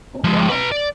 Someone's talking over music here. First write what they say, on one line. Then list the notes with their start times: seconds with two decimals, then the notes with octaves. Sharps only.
Oh, wow.
0.24 F3 G#3
0.49 B4 A#5
0.71 D5